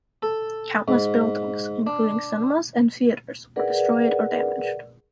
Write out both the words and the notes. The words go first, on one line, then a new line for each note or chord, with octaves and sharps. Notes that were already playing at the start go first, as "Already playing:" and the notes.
Countless buildings including cinemas and theaters were destroyed or damaged.
A4
G#2
D4
G#4 A#4 B4 D5 F#5